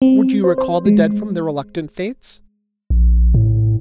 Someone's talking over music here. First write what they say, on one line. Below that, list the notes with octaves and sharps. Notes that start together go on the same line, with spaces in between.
Would you recall the dead from the reluctant fates?
C4
C5
C5
G#3
A#1
A2